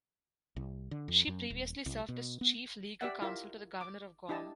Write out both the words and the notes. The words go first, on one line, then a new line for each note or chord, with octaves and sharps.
She previously served as Chief Legal Counsel to the Governor of Guam.
C2
D3
F2
F#2
D#1
C2
B2
B3
G4 D5 E5 F#5
E4 F4 G4 A#4 E5
D6
D4 E4 G4 D#5 A5